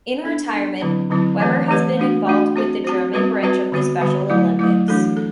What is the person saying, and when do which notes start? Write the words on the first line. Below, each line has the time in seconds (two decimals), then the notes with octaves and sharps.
In retirement, Weber has been involved with the German branch of the Special Olympics.
0.24 B3 D4 A4
0.53 B3 D4 A4
0.81 D3 F#3 C4 E4
1.10 D3 F#3 C4 E4
1.40 E3 A3 C4 G4 B4
1.68 E3 A3 C4 G4 B4
1.97 A3 D4 F#4
2.27 A3 D4 F#4
2.56 C4 F#4 C5
2.84 C4 F#4 C5
3.14 G3 C4 F#4 B4
3.43 G3 C4 F#4 B4
3.72 D3 G3 B3 F#4
4.00 D3 G3 B3 F#4
4.30 F#3 A3 E4
4.59 F#3 A3 E4
4.88 E3 A3 D4 F#4 A4
5.17 A4